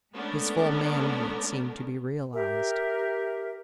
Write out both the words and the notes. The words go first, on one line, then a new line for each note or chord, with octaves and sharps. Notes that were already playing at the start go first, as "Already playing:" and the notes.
His full manhood seemed to be realized.
G#3 A3 B3 C#4 D4 A#4
G4 A#4 E5